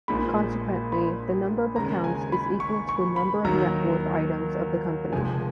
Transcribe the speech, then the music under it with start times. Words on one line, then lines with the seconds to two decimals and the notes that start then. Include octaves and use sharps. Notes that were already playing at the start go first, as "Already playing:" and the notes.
Consequently, the number of accounts is equal to the number of net worth items of the company.
0.08 A#1 A#2 G#3 B5
0.92 B5
1.76 D#2 C#3 G#3 A#5
2.04 G#5
2.32 B5
2.60 C#6
2.89 C#6
3.16 B5
3.44 D#2 D#3 F#3 A#5
5.13 F1 F2 F3 G#3 G#5